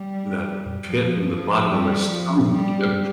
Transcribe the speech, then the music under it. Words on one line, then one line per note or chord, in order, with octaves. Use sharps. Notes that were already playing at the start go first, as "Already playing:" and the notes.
that pit in the bottom of my stomach and,
Already playing: G3
F3
F3
G3
F3
G3